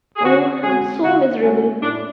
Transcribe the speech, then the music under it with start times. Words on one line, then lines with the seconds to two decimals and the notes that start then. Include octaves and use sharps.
Oh, I'm so miserable.'
0.16 G#4
0.24 D3 F#4
0.63 G#3 C#4 F#4 G#4
1.03 D3 F#4
1.42 G#3 C#4 F#4
1.82 A2 D4